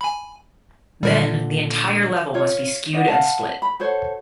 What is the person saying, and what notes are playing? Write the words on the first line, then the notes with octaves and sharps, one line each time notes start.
Then, the entire level must be skewed and split.
G#5 B5
A#2 D3 G3 A#4 D5
F4 C#5
D4 B4 D#5 F#5
F5 F#5 A5
B5
F#4 A4 C5 C#5